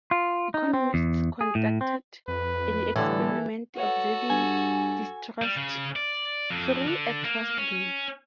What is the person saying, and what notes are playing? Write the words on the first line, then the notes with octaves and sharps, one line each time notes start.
Economists conducted an experiment observing distrust through a trust game.
F4
D#4
C4
E2
G#4
A2
C4
F2 B4
A2 D3 E3 G3 A4
F#4 A4 B4 C#5 F#5
G2 G#5
G3
C#3
D5
F2
D3
A#3
C#4